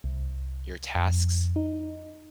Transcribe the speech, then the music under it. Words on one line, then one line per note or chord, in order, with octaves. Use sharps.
your tasks.
C2
F2
D#4